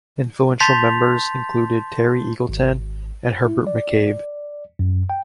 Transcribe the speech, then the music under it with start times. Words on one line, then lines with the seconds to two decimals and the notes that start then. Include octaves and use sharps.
Influential members included Terry Eagleton and Herbert McCabe.
0.60 A5 C6 G6 A6 B6 F7
2.49 G#1
3.46 E4
3.67 D5
4.79 F#2
5.10 G5